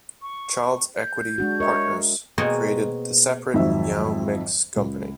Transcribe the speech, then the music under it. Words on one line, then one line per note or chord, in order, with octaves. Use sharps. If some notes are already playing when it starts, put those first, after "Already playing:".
Childs Equity Partners, creating the separate Meow Mix Company.
C#6
G6
G#3 D4 F#4
A#4 C#5 D#5 E5
B2 A#3 C4 G#4 C#5 D#5
G#1 F2 G#2 D#3 F#3 E5
C#2